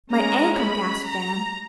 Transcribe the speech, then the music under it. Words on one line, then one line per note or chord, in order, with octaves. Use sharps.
"My ankle," gasped Anne.
G#3 C#4 A#5
B5
A#5